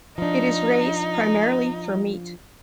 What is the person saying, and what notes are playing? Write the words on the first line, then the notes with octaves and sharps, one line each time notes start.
It is raised primarily for meat.
F3 D4 D#4